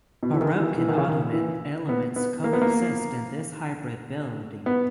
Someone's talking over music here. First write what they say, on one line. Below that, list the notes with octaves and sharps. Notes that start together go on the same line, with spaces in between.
Baroque and Ottoman elements coexist in this hybrid building.
B2
E3
D#3
E3
E3
D#3
C#3
D#3
E3
B3
B3
A#3
B3
A#3
B3